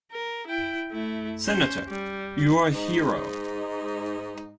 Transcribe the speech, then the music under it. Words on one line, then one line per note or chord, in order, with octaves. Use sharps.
Senator, you're a hero.
A#4
E4 G5
A3 E4
C#4 C5
G3
G#2 D#4